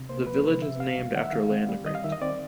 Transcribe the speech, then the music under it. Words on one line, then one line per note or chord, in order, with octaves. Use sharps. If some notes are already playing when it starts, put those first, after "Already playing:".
The village is named after a land grant.
Already playing: C3
A#3 C5
F3 B4
C3 B4
C3 E5
C4 F5
G3
D#3 F#5
E5
D#3 F5
C4
G3
D#3 D#5
F5
D#3 E5
D#5
C4 D5